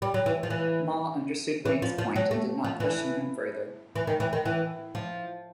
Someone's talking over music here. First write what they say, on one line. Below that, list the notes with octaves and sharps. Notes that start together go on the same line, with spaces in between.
Ma understood Wang's point and did not question him further.
G3
F#3
E3
F3
E3
E3
F3
F3
F#3
A3
F3
E3
E3
D#3
E3
D#3
E3
F3